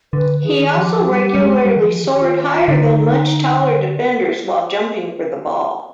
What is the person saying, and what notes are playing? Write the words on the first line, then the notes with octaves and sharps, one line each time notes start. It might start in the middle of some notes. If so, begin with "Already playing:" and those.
He also regularly soared higher than much taller defenders while jumping for the ball.
D3 B4
D#3 G#4
F3 G4
G3
G3
G#3
G3
D#3
F3
D#3 G4
F4
F4
D3 D#4